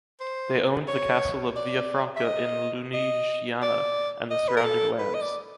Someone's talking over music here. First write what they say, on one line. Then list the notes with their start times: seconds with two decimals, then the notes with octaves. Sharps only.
They owned the castle of Villafranca in Lunigiana and the surrounding lands.
0.20 C5
0.88 C#5
1.56 D5
2.16 E5
2.25 D#5
2.94 D#5
3.62 D5
4.31 D#5
4.48 B4
4.57 A#4
4.64 A4
4.99 B4
5.14 D#5
5.21 D5